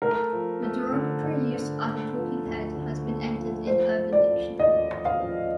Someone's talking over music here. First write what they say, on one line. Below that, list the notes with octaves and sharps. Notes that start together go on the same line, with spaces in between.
The derogatory use as a "talking head" has been entered in Urban Dictionary.
A3 A#4
F3
A3
D3
D3
D3
A3
F3
D2
D3
A3
F3
F3 C5
A3
D5
F3
D#2 D#5
F3
F5
F3